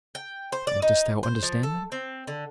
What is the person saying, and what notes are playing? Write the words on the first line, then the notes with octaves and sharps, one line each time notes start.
"And dost thou understand them?"
G5
C5
D5
D#4
C5
F3
A4
C4
D3